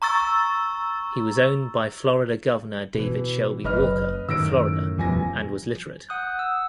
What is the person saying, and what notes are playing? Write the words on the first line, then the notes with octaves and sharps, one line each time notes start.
He was owned by Florida Governor David Shelby Walker of Florida and was literate.
A#5 C#6 E6 A6
B2 E3
F#1 B4 D#5 F6
F#2 A2 D#3 E3 E6 A#6 D7
E1 E2 F3 G3 G#5 A#6
F#5 D#6 F#6 G6
E6